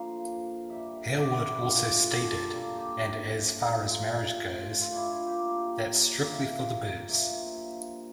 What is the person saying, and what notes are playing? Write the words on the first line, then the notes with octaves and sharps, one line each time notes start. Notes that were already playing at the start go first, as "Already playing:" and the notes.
Hailwood also stated And as far as marriage goes-that's strictly for the birds!
Already playing: D3 F3 A#3 F5
G2 D3 G3 E5
G4
E4
D4
E4
D3 A3 F4
F4
G4
A4
A#4
D3 G3 A#3 A4
G4
C3 F3 A3
F4
D3 A3
F4
D4 E4
F4
C3 G3 A#3 G4
A#2 G3 A#3
E5
F5
G2 F3 A#3 E5